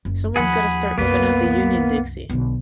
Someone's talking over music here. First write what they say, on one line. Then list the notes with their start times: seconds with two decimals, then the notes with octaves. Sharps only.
Someone's gotta start whipping out the union Dixie.
0.05 F#1
0.36 D#2 F3 G#4 F#5 B5
0.98 C2 F#2 A#3 B3 B4
2.30 B1 D3